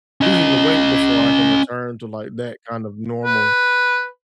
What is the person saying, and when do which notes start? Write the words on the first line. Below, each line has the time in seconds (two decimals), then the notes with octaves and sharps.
losing the weight before I can return to, like, that kind of normal,
0.21 C#4 D#5
3.25 B4